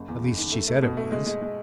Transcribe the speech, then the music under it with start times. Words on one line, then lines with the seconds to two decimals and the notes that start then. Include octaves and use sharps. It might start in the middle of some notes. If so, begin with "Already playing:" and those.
At least she said it was.
Already playing: F#1
0.08 E2
0.24 F#1
0.37 D#3
0.52 A3
0.68 A3
0.82 B2
0.97 A3
1.12 G#3
1.26 G#3
1.42 G#3